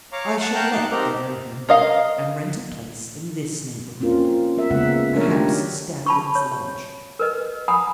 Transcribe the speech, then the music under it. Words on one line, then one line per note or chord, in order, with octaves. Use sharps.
I shall let Everingham, and rent a place in this neighbourhood; perhaps Stanwix Lodge.
C#5 F5 A#5 C#6 D6
F#5 A5
F5 G5 A5 A#5 F#6 G6
D#4 A5 D6 F#6 G6
C4 D#4 G4 A#4 A#5
A#4 D#5 F5
A#3 C4 C#4 F4 A#4
B3 A#4 E5
C#3 G#3 A#3 B3 E5 F#5
A3 D4 A#4 C#5
D#3 F#3 G4
A5 B5 C#6
C#5
A#4 B4 D#5
F#5 G#5 A#5 B5 D#6